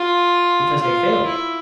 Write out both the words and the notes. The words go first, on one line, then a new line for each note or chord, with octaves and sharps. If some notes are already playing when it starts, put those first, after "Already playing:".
"Because they failed."
Already playing: F4
F4
E4